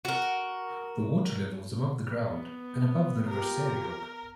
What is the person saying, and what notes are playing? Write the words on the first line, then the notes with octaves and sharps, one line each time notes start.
The water level is above the ground and above the River Ceiriog.
F#4 A#4
B3
F4 G4 A#4